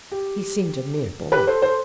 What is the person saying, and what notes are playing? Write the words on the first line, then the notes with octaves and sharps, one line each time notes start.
He seemed a mere boy.
G4
G4 B4
A4 C5
A4 C5